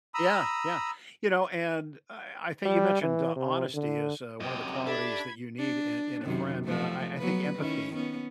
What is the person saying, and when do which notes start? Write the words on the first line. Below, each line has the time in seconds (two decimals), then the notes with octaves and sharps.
Yeah, yeah, you know and I I think you mentioned, uh, honesty is, uh, one of the qualities that you need in in a friend, uh, I I think empathy,
0.14 A#5 B5 D#6 E6
2.66 G3
3.02 E3
3.36 C3
3.74 D3
4.41 F#2 C3 D#5 G5
4.86 D4 G4 A4 E5 B5 G#6
5.59 D4
6.25 F#2 C3 D#3
6.65 C3 F3 A3
7.17 F#3 B3 B4
7.56 D#3 C#4 E4
7.95 B3 C#4